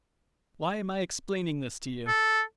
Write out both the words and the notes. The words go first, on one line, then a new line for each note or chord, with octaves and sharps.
Why am I explaining this to you?
A4